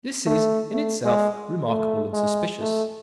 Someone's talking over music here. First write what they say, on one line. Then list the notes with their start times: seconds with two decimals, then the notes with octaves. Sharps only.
This is, in itself, remarkable and suspicious.
0.26 A3
0.73 A3
1.05 G#3
1.68 A3
2.13 G#3
2.61 A3